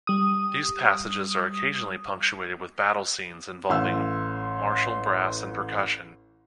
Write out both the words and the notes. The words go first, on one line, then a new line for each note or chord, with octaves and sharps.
These passages are occasionally punctuated with "battle scenes" involving martial brass and percussion.
G3 D#6
A1 F5 C6 E6